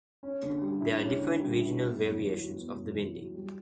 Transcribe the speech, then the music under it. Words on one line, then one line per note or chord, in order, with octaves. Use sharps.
There are different regional variations of the bindi.
C#4
D3
G3
E4
C#4
D3
G3
E4
B3
F#2
E3
F#4
B3
F#2
E3
F#4
G3